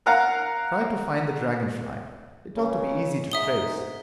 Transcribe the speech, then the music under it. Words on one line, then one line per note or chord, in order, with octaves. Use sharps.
Try to find the Dragon Fly--it ought to be easy to trace.
A#4 F5 F#5 A#5
C#2 C#3
G#2 E5 D#6 G7